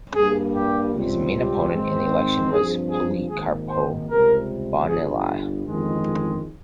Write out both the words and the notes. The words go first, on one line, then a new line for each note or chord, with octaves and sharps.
His main opponent in the election was Policarpo Bonilla.
G2 G3 A#3 G#4
G4
C#2 C3 G3 C4
G4
G#2 D#3 G#3 C4
G2 F3 C4 G#4
G#4
G#1 G#2 D#3 A#3 G#4
C5
C#2 C3 G3 A#4
G1 G2 G3 G#4
G1 F2 D#3 G#3